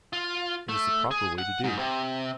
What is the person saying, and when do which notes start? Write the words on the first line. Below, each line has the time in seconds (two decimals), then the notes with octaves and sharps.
It is the proper way to do.
0.13 F4
0.69 A3
1.11 G#4
1.38 F#5
1.64 G#2
1.79 C3